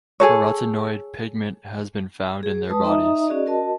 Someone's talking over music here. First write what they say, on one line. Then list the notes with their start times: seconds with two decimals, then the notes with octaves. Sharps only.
Carotenoid pigment has been found in their bodies.
0.20 G#4 A4 C#5
2.43 G#4
2.68 G#3 B4 A5 D#6
2.84 D#4 D#5 E5 A#5 D#6
3.27 C#4 F#4 G#4 D5 D#5
3.46 F#4 A#4 D#5 A5